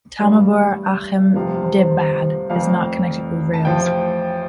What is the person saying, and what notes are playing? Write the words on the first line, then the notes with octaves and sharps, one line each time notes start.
Tamabur-Ahmedabad is not connected with rails.
A1 G2 G3 D5
G1 F2 C3 F3 F5
C5
C5
F1 F2 F3 F5
A5
A1 A2 F3 G5